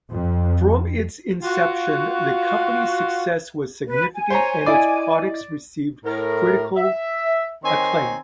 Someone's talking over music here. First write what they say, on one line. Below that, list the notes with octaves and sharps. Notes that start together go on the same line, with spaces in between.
From its inception, the company's success was significant and its products received critical acclaim.
F2
F4 F#4
B4
G#5
C5 C#5 A#5
E4 D5 D#5 D6
A2 A#4
E5
D#3 C4 C#5 G#5 A#5 C6